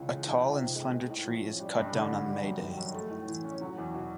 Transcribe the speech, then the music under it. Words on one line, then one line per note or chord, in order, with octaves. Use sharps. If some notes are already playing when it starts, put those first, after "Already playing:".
A tall and slender tree is cut down on May Day.
Already playing: C#2 C#3 E3
G#3
D#3
C#2
C3
G#3
G#3
A2
F3
C#4
G3
G2
D3
G2
G3
F#2
D#3
F#2
A3
A2
E3
C#4
F#3
E2
B2